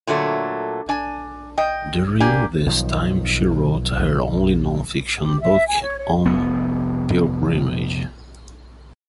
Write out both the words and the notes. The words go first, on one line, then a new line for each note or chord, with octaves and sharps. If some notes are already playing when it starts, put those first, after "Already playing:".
During this time she wrote her only non-fiction book, "On Pilgrimage".
A#2 D3 F#3 A3
D4 G#5
D#5 G5
A#3 D4 G4 G#5
B1 D#3 F3
G4
E5
G#5
C#5
C#5
F1 B3